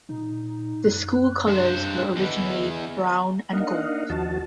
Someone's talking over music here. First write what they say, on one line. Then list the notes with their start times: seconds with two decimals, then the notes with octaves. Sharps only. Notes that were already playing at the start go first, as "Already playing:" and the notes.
The school colours were originally brown and gold.
0.09 A#2 D#4
0.84 F#2 F#6
1.47 G2 C5
2.16 E2 D3 E3 D#5
3.53 A#3 D4 D#4 D#5 F5 F#5
4.10 D#2 F3 F#4 A5